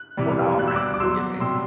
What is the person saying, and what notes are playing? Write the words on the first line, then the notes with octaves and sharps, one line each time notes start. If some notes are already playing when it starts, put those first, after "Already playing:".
or our friend comes and gets him,
Already playing: F#6
C3 E3 G3
B2 G3 F#6
E6
D6 F#6
D6
B2 F#3 C6 E6
C3 G3 C6 E6